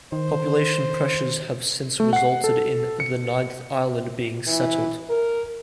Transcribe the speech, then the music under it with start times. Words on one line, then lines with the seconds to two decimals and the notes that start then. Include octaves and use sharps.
Population pressures have since resulted in the ninth island being settled.
0.12 D#3 C5
2.00 A3
2.13 F#5 C7
2.44 A4
3.00 C#7
4.47 E3
5.10 A#4